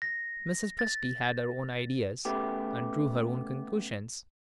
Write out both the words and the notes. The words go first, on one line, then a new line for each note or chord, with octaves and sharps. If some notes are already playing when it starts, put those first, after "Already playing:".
Mrs. Presty had her own ideas, and drew her own conclusions.
A#6
A6
A2 C#3 A3 B3 G4